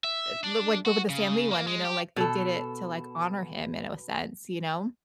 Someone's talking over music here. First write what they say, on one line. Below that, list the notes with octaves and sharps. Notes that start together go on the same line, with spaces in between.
uh like go with the Stan Lee one, you know, like they did it to like honor him in a sense, you know?
E5
D4
F#4
C#3
A#3
G#3
G4
B2 A4